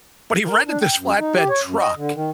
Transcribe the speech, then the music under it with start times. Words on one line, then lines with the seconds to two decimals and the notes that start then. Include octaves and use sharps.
but he rented this flatbed truck
0.47 A#4
0.67 D4
0.82 G5
0.97 F#2
1.19 D#4
1.35 G4
1.49 C#5
1.64 F#2
1.80 D#5
1.97 D3
2.14 D#3